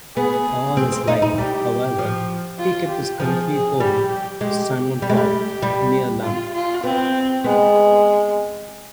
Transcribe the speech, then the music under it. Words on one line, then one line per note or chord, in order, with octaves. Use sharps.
All his life, however, he kept his country home Simontorp, near Lund.
B3 G#4
C4
C4
D#4
D#4
G3 G4
F3
F4
G4
F3 G#4
G#4
G3 G4
G4
G#3 G4
G3 G4
G#3
G3
G3
F4
F4
B3 C4
G#3 B3